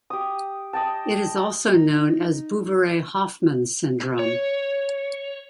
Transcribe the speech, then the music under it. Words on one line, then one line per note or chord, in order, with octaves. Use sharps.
It is also known as "Bouveret-Hoffmann syndrome".
G4 D#6
D#5 G5 A5
D#4
C#5